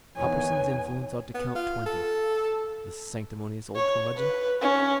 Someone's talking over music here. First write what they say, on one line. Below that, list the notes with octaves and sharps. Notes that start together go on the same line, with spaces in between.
Hopperson's influence ought to count twenty . . . the sanctimonious old curmudgeon.
E2 D#3 B3 C#5 G#5
B3
F4
A4
C#5
B4
C#4